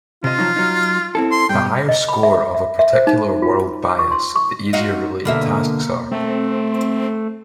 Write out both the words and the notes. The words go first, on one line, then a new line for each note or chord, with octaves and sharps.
The higher score of a particular world bias, the easier related tasks are.
C3 F4 D#5
F3 F#3 D#4
F#3 D#4
C4 E4 A4
C6
G2 B2 G5
D#5
B5
E5
E5
E5
C5
D#4
F4
C#6
C6
C#6
D#4 F4 F#4
B2 D3 A#3 E5
A3 C4